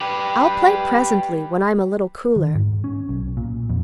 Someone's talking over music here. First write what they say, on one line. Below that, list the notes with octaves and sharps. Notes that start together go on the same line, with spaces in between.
'I'll play presently, when I'm a little cooler.
G4 B4
D#3
G#2
C#4
B1
A#2
F2